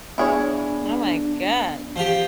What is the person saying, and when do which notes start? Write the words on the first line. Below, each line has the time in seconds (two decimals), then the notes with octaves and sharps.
Oh, my god.
0.18 B3 D4 E4 G#4 C#5 D5
1.96 F3 F4 G4